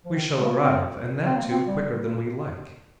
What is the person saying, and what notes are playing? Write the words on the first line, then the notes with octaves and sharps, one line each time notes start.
"We shall arrive, and that, too, quicker than we like."
F3
D#3
G#3
A#3
C4
C4
A#3
C4
G3